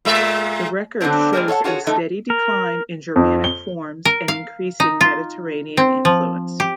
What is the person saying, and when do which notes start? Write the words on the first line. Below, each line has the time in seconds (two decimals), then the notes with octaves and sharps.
The record shows a steady decline in Germanic forms and increasing Mediterranean influence.
0.05 A#2 G#3 E5
1.01 D3 F#3 B3 C4 C5
1.33 G3 G#3 A#3 C4 G#4 A#4
1.48 A4 C#5 F5 F#5
1.64 F4 F#4 G#4 C#5
1.87 E3 F3 A3 D#4
2.30 A#4
3.16 F2
3.44 G7
4.05 A#4
4.28 F5
4.80 D#4
5.01 F4
5.77 C4
6.05 F3
6.60 G4